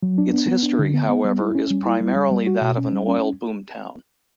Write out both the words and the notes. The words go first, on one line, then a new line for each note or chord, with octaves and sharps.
Its history, however, is primarily that of an oil boomtown.
F#3
D4
B3
B3
D4
D3
B3
B3
G3
E4
C#4
G3
E4
G3
G3
G3
F#4
B2
C#4
G3
C#4